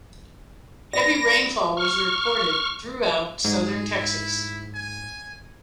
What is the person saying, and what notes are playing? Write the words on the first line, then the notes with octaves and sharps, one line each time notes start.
Heavy rainfall was reported throughout southern Texas.
D5 B5 A#6
C#6 F6
G#2 G#4
E4
G#5